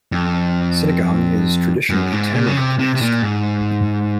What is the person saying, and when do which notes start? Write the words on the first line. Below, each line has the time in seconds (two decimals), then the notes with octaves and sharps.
Sinigang is traditionally tamarind-based.
0.12 F2
1.90 F#2
2.12 G#2
2.34 A#2
2.47 C#3
2.57 C3
2.79 C3
2.95 C3
3.01 A#2
3.23 G#2